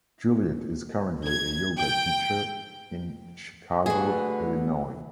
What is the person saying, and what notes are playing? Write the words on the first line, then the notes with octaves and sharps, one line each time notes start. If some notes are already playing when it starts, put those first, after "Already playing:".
Juliet is currently a yoga teacher in Chicago, Illinois.
G#6
G5
D3 A3 F#4 G#4 B4